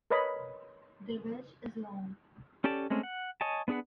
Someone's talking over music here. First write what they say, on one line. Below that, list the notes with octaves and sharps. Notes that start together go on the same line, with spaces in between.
The ridge is long.
A#4 B4 C#5 D#5 B5
C#4 G4 A4 D5 A5
G#3 A3 C4 C#4
F#5
C#5 D#5 G#5 A5
B3 D4 G#4 B4 F#5